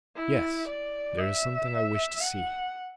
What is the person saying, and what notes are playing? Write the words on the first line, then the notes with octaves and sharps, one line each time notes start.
"Yes, there is something I wish to see."
E4
D5
E5
F#5